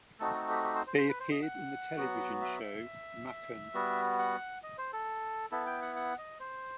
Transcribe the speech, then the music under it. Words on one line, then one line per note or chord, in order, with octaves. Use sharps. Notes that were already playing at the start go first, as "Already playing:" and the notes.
They appeared in the television show "Macken".
A3 C4 D#4 F#4 A4
A4
G4
G4
C5
C5
C5
B4
C5
D#5
F#5
F#3 B3 F#4
E5
G3 B3 F#4
F#5
D#5
C5
A4
B3 E4 A4
G5
F#5
F#5
D#5
C5